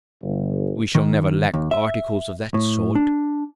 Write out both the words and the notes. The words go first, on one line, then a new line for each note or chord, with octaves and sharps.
"We shall never lack articles of that sort."
G1
D#3
D#2
E5
A2
D4